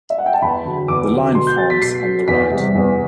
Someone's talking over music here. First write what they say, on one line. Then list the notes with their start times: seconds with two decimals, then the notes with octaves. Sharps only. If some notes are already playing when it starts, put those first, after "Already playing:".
The line forms on the right.
0.10 E5
0.18 F#5
0.26 G5
0.34 A5
0.42 E2 B5
0.65 D3 F#3
0.88 E2 D6
1.12 D3 F#3
1.35 B2 C6
1.47 G6
1.58 F#3 A6
1.70 B6
1.82 B2 C7
2.05 F#3
2.28 E2 B6
2.51 C3 G3
2.75 E2